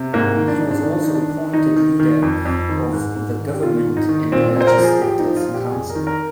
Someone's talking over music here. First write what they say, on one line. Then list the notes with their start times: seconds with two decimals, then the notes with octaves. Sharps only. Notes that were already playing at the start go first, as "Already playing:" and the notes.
He was also appointed Leader of the Government in the Legislative Council.
Already playing: C3
0.13 G#2 A#3
0.37 D#3
0.48 D4
0.60 G#2 D#4
0.71 D4
0.82 D#3 D#4
0.93 D4
1.04 D#3 D#4
1.15 D4
1.30 D#3
1.53 D#3 D#4
1.76 D#3
2.00 D#3
2.22 F2
2.45 F2
2.69 D#3
2.93 G#2
3.16 G#2
3.39 D#3
3.54 G4
3.62 D#3 F4
3.86 G#2
3.97 D#4
4.09 D#3
4.32 A#2 C4
4.49 C4
4.56 A#2 C5
4.67 A#4
4.78 F3 A#4
4.84 G#4
5.02 F3 G4
5.19 D#4
5.25 F3
5.36 F4
5.48 A#2
5.54 G4
5.71 F2 G#4
5.90 A#4
5.95 D#3
6.07 A#4